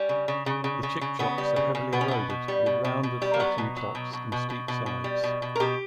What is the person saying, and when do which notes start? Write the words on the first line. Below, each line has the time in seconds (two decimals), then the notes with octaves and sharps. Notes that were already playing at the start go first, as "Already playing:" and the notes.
The Chic-Chocs are heavily eroded, with rounded, flattened tops and steep sides.
Already playing: G3 C#4
0.09 C#3
0.28 C#3
0.46 C#3
0.64 C#3
0.83 C#3
1.01 C#3
1.19 C#3 B3
1.38 G3
1.56 C#3
1.75 C#3
1.93 B2 B3
2.01 C#4
2.08 B2 B3
2.30 B2
2.48 G3
2.66 B2
2.84 B2
3.03 B2
3.22 G3
3.34 A#3
3.40 F#3 B3
3.58 B2
3.77 F#3
3.95 B2
4.13 B2
4.32 B2
4.50 B2
4.68 B2
4.86 B2
5.04 G3
5.23 B2
5.42 B2
5.56 A#4
5.60 B2 G4